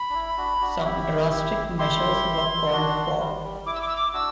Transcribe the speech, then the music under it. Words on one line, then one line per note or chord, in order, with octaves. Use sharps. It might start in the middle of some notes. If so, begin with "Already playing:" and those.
Some drastic measures were called for.
Already playing: B5
D4
E4
D4 F#4
D4 F#4
F#4
E4 G4
E4 G4
E4 G4 C6
D4 F#4
G3
G3
E4 D6
E6
D6
E6
D6
E4
D4 F#4 E6